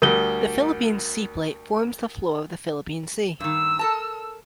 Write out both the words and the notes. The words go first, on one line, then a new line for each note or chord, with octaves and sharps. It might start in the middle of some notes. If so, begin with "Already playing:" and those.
The Philippine Sea Plate forms the floor of the Philippine Sea.
D2 G3 A#4 G7
G2 D#3 E6
A4 A#4 A5